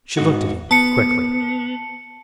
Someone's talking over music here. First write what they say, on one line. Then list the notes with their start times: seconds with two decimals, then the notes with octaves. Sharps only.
She looked at him quickly.
0.17 G#2 D#4 F#4
0.71 B3 A5 C#7